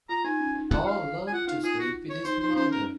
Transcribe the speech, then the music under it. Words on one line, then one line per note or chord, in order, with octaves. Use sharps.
Paul loved to sleep with his mother.
F4 A#5
D#4 G#5
C#4
D#4
F4 F#5
F5
G#5
F4 F#5
D#4 F5
F4 G#4
F#4
C#5
D#4 C5
D#4 C5
C#4 C5
A#4